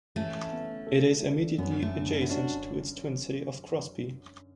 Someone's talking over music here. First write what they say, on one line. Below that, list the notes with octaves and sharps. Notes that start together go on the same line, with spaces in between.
It is immediately adjacent to its twin city of Crosby.
E3 A3 C#4
B3
A4
D4
F#2 B3
A3
D3
B3
C#4
B3
C#4 D4 F#4